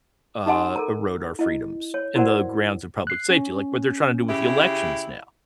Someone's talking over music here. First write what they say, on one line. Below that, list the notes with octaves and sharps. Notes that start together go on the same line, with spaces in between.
uh, erode our freedoms in the grounds of public safety, like what they're trying to do with the elections now.
D#4 G4 D#5 F#5 G#5 C6
A4 A#4 A#5
E4 D#5
C#5
E4 F#4 A#4 C5 D5 F#5
F#6 C7
C#4
C#3 E4 G4